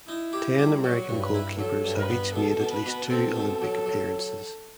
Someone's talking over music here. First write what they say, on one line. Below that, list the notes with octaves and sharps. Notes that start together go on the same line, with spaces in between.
Ten American goalkeepers have each made at least two Olympic appearances.
D#4 E4
G4
G3
F#3 F#4
G2
B4
E4
F#3 A4
G2
B4
B3
B2 A4
B2
B4
B2
C4 A4
B2
F#3
F#3